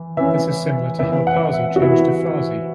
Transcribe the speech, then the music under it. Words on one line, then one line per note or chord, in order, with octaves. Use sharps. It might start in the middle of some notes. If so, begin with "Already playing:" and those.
This is similar to how Parsi changed to Farsi.
Already playing: E3
E3 C#4 E5
E3 B3 E5
F#5
E5
F#4
E3 B3 E4